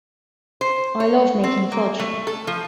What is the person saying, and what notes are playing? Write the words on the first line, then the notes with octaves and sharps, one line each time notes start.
I love making fudge.
C5
C#5
C4
A#3
A3
A4
F3